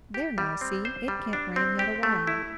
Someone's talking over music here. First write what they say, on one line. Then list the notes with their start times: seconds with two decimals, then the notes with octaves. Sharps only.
"There, now, see, it can't rain yet awhile."
0.14 G4
0.38 G3
0.61 C4
0.85 C5
1.08 G3
1.33 D4
1.56 C4
1.79 G4
2.03 A3
2.27 E4